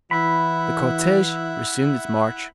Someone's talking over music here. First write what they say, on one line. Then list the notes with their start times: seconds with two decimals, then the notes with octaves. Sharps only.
The cortege resumed its march.
0.11 E3 E4 E5 F#5 B5